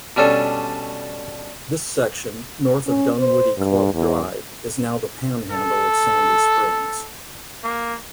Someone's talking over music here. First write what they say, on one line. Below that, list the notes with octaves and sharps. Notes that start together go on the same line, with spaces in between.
This section, north of Dunwoody Club Drive, is now the panhandle of Sandy Springs.
B2 G3 C#4 D4 A4
C#4
C5
G2
E2
A4
A#3